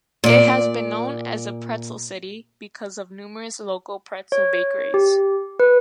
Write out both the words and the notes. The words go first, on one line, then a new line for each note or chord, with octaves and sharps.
It has been known as "The Pretzel City", because of numerous local pretzel bakeries.
A#2 D5
C#5
G4
B4